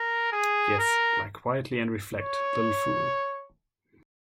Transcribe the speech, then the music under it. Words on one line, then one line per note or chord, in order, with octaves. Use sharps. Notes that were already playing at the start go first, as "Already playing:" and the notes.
Yes, lie quietly and reflect, little fool!
Already playing: A#4
G#4
A#4
C#5